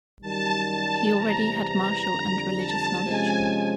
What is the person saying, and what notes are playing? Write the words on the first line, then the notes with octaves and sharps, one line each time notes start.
He already had martial and religious knowledge.
F#2 D#3 G3 A5
A5
E2 C3 E3 G3 A#5
A#5
F2 D3 G3
A5
C3 F3 G#3 C#4 G#5